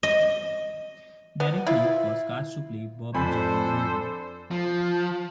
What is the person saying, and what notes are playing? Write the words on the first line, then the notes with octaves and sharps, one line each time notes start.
Derek Luke was cast to play Bobby Joe in the movie.
D#5
B3
E4 F4
F2 D4 A4 C5 G#5 B5
F3